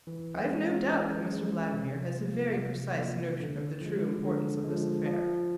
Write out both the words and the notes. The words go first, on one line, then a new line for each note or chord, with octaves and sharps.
"I've no doubt that Mr Vladimir has a very precise notion of the true importance of this affair."
E3
G#3 C#4
E3
G#3 C#4
C3
F3 A#3
C3
F3 A#3
D3
F3 G#3
D3
F3 G#3
F3